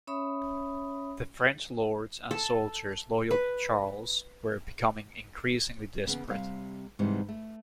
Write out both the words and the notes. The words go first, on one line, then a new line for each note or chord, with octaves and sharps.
The French lords and soldiers loyal to Charles were becoming increasingly desperate.
C#4 C#5 E5 B5 D#6
A4
B4
E2 C#3 A#3 B3
C3 G3 F5
G#2 C3 E3 G3
A3